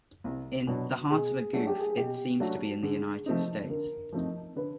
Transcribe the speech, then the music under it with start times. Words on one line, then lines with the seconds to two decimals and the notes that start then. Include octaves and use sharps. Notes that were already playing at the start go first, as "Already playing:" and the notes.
In "The Heart of a Goof", it seems to be in the United States.
0.24 C2
0.67 B2 F#3 B3 D4
1.10 B2 G#4
1.53 F#3 A3 D4 F#4 G#4
1.67 G4
1.80 G#4
1.97 B2 G4
2.40 F#3 A3 D4 F#4
2.83 D3 G#4
3.26 F3 A3 C4 D#4
3.69 D3 A#4
4.13 F3 A3 C4 D#4
4.56 D3 B4